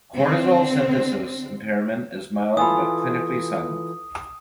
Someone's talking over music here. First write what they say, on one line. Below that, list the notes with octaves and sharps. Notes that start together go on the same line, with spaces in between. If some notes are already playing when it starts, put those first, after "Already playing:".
Cortisol synthesis impairment is mild but clinically silent.
D3 C4
E3 F4 A4 G#5 B5 D#6